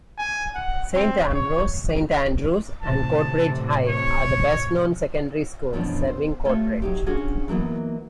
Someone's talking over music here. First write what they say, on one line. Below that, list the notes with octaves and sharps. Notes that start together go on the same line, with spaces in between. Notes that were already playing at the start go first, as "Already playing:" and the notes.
Saint Ambrose, Saint Andrew's and Coatbridge High are the best-known secondary schools serving Coatbridge.
G#5
F#5
C4
C#5
A2 C3 E3 A5
C#5
F#2 B2 E3 F3 C#4 D4
C5
G3 A3 F4 C#5 F5
F#3 D#4 G4
C#4 D4 F4 F#4 G#4
E3 F#3 A#3 B3 D#4